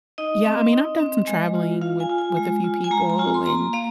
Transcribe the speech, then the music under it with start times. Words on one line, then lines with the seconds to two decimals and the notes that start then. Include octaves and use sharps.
Yeah, I mean, I've done some traveling with with a few people and,
0.18 D#4 D#5
0.45 C4
0.73 D#4
0.99 C4
1.27 G#3
1.55 F4
1.82 F4 F5
2.00 G#5
2.10 F4
2.18 G#5
2.37 G#3
2.64 F4
2.84 G#5
2.91 G#3 A#5
3.10 A#5
3.18 F4 G#5
3.34 C6
3.46 A#3 A#5
3.73 A#3 F5